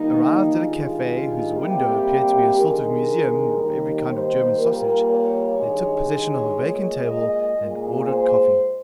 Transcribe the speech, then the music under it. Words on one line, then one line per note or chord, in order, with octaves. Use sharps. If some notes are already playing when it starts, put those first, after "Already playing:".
Arrived at a cafe whose window appeared to be a sort of museum of every kind of German sausage, they took possession of a vacant table and ordered coffee.
Already playing: D#2 D#3 G3 A#3 D#4
G2 D#3 G#3 F4
C3 G3 A#3 G4
G2 D#3 G#3 A#4
D#2 D#3 G3
C5
A#2 G3 A#3 A#4
C#5
G2 D#3 G#3
C#5
A#2 G#3
D#5
A#2 G#3
C5